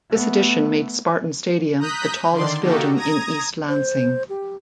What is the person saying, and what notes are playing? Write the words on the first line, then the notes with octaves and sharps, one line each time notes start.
This addition made Spartan Stadium the tallest building in East Lansing.
A3 B3
A#5 D#6 F#6 G6 B6
D3 D#3 D5 C6
D3 A#3 D#4 F#4 G4 A4
A#5 D#6 G#6 A#6
C5
G4